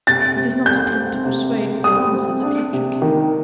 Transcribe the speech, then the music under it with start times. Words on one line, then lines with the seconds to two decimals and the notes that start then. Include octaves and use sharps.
He does not attempt to persuade with promises of future care.
0.07 C3 A6
0.37 C3
0.66 G3 G6
0.95 C4
1.25 C3
1.55 C3
1.84 G3 D#6
2.13 C4
2.43 D4
2.73 C3
3.02 D#3